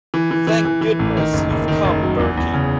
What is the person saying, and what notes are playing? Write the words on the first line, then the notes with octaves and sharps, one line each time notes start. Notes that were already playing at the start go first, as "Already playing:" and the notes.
Thank goodness you've come, Bertie.
E3
E3
E3
E3
E3
A1
D#3
F#1
F#1
D#3
F#1
F#3
E2
E2
C#3